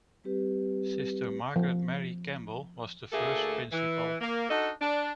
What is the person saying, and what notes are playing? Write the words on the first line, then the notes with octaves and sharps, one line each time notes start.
Sister Margaret Mary Campbell was the first principal.
G3 C4 G4 B4
F3
D2 A3 A#3 G#4 A4
E3
A#3
D4 D#4 F#4 A4 D#5
D4